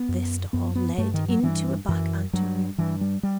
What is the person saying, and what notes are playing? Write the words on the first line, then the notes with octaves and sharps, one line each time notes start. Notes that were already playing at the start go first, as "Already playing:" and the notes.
This door led into a back anteroom.
Already playing: B3
F#2
F#2 B3
B3
G2 A3
D#3
F#3
G2 E3
F#2 E3
G2 F#3
G2 E3
G3
G3